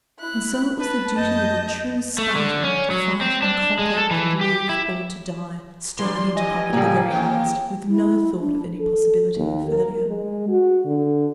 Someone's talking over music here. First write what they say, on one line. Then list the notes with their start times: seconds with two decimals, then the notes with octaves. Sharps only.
And so it was the duty of a true Spartan to fight and conquer and live, or to die, striving to conquer to the very last, with no thought of any possibility of failure.
0.18 E4 F#6
0.80 B4 A5
1.16 F#2 D#5 A5 G6
2.18 A3
2.36 D3
2.64 C#4
2.91 F#3
3.21 C4
3.42 D4
3.79 G#3
3.97 A4
4.11 E3
4.41 G4
4.69 E4
5.99 E3 F3 G3 D4 C6
6.37 G2 G3 D#5 G#5
6.73 A2 C#3 G3 A#3 G#4 A4
7.10 D#3 C4 G#4 G5
7.88 E4
8.40 D4
8.80 A4
9.36 D#2
9.69 A#4
10.07 G#3
10.49 F#4
10.85 D3